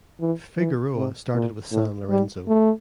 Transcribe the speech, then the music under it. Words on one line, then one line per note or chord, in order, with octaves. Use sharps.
Figueroa started with San Lorenzo.
E3
E3
C3
A#2
A2
G3
A3